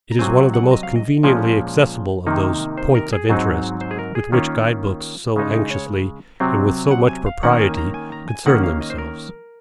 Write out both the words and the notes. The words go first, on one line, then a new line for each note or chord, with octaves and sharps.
It is one of the most conveniently accessible of those "points of interest" with which guide-books so anxiously, and with so much propriety, concern themselves.
A#5
C3 F#3 C4 G#5
F#5
F#5
D#5
F5
D#5
A#2 F3 G#3 C#4
C3 D#3 A#3 D#4
C5
A#4
G#4
G#2 F#3 C4 D#4
C5
G#4
A#4
G#4
D#3 A#3 C#4 F4
C#3 G#3 D#4
D#4
C#5
C3 F#3 C4
G#5
F#5
G#5
F5
D#3 A#3 C#4 F#5
A#5
G#5
A#5
G#5
A#5
G#5
D#3 A#3 C#4 F#5
F5
D#5
C5
A#4